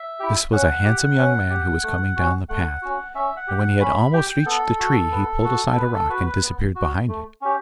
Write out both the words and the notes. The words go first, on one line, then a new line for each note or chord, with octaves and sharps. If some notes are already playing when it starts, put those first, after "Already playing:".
This was a handsome young man who was coming down the path; and when he had almost reached the tree he pulled aside a rock and disappeared behind it.
Already playing: E5
E4 G4
C#4 F#5
G4
C#4
G4
A3
C#4 F#4
A3 F#5
C#4 F#4
C#4 E5
F#5
G4
F#5
C#4 B5
G4 G5
B3 A4
F#4
B3
F#4
A4
B3 B4
A4
F#4 B4
B4
B3
F#4
A3
C#4 G4